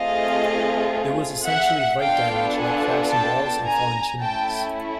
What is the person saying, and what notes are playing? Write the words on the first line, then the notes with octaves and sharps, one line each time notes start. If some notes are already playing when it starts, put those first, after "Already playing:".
It was essentially light damage like cracks in walls and fallen chimneys.
Already playing: A3 C4 F4 G#4 D#5 F5
E5 F#5
B3 D4 F4 A4 F5 G5
F#5 G#5
G5 A5
G#5 A#5
A3 C#4 E4 G5 A5